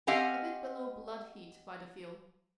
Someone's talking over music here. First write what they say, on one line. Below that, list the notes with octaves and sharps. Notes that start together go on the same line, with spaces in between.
A bit below blood-heat by the feel.
C4 G4 D#5 F5 F#5 G#5